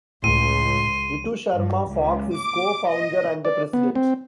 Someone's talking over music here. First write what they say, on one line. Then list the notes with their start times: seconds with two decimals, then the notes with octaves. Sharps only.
Ritu Sharma Fox is co-founder and the president.
0.24 C#2 A2 C6 D#7
1.53 G2
1.90 C#2
2.36 D6
2.89 D#5
3.45 D5
3.73 B3
3.95 C4